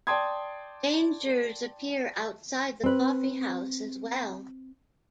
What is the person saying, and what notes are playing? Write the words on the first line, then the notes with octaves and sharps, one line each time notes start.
Dangers appear outside the coffee house as well.
D5 G5 A5 C6 D#6 G#6
C4 B4